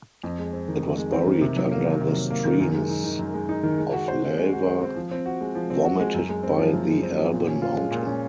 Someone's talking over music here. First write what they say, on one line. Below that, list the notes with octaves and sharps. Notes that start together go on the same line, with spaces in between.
It was buried under the streams of lava vomited by the Alban Mountain.
F2
G#3
C4
D#3
F2
G#3
C4
D#3
C3
F#3
A#3
D#3
C3
F#3
A#3
D#3
F#2
G#3
D#4
D#3
F#2
G#3
D#4
D#3
G#3
F#4
C5
C4
G#3
F#4
C5
C4
F3
C4
F#4
G#3
F3
C4
F#4
G#3
F#2
G#3
C4
F3
F#2
G#3
C4
F3
A#2
C#4
F4
G#3
A#2
C#4